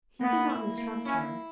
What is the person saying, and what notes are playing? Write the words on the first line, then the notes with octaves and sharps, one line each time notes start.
He did not mistrust her.
A#3 B3
E4
A#3
C#4 E4